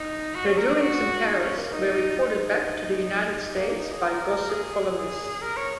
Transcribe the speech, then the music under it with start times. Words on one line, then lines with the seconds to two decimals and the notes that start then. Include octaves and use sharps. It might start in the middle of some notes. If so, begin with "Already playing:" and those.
Her doings in Paris were reported back to the United States by gossip columnists.
Already playing: D#4
0.35 F#4
0.46 C#4
0.58 A#4
0.69 G#4
0.81 F#4
1.27 D#4
1.43 C#4
1.58 A#3
1.73 D#4
2.19 D#4
3.57 A#3
3.69 A#3
3.80 D#4
3.92 G#4
4.03 A#4
4.50 G#4
5.42 A#4
5.57 C#5